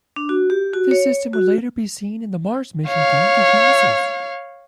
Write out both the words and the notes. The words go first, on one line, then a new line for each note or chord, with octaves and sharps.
This system would later be seen in the "Mars Mission" theme to shoot missiles.
D4
F#4
G4
F#4
C#5
F#4
C#5 F5